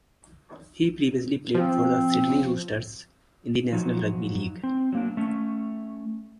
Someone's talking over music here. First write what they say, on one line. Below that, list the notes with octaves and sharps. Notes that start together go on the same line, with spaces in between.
He previously played for the Sydney Roosters in the National Rugby League.
F3 C4
F3 F#3 D#4
C4
F#3 A#3 D4
A3 C#4